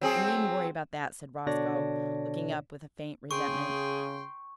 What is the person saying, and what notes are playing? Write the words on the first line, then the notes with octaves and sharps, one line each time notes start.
"You needn't worry about that," said Roscoe, looking up with a faint resentment.
F#3 C4 G#4
B2 D3 D4 C#5 D5 A#6
C#3 G#4 G5 C6 C#6